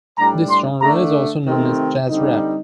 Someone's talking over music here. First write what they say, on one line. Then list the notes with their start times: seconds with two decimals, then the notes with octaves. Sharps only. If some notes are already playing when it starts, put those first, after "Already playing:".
This genre is also known as jazz rap.
0.17 A2 G3 D4 A#5
0.49 C6
0.81 D3 A3 D4 A#5
1.45 C3 D#3 A3 C4 D#4
2.08 D3 G3 C4 D#4